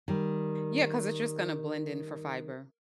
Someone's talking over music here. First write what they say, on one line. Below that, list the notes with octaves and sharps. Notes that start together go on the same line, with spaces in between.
Yeah, 'cause it's just gonna blend in for fiber.
D#3 G3